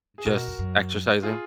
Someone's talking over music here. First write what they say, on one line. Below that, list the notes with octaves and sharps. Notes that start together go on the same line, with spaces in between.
just exercising.
G#4
A#2 F#4 A#4
B2
F2
F#2
F4 G#4